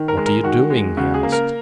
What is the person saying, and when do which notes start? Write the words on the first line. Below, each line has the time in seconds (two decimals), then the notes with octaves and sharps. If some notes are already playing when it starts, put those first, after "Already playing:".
"What are you doing?" he asked.
Already playing: D#3
0.08 A#4
0.17 G#3
0.26 A#4
0.43 D#3 F#4
0.70 G#3
0.97 C#3 F#4
1.14 G#4
1.23 A#3
1.32 A#4